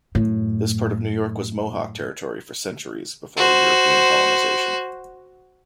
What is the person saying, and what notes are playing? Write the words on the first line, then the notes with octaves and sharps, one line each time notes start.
This part of New York was Mohawk territory for centuries before European colonization.
F#2 A2
F#4 C5